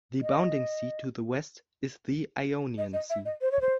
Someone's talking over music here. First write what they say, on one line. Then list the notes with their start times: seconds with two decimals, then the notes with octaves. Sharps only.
The bounding sea to the West is the Ionian Sea.
0.22 D#5
2.78 D#5
2.93 D#5
3.10 E5
3.25 D#5
3.41 C5
3.52 C#5
3.61 C5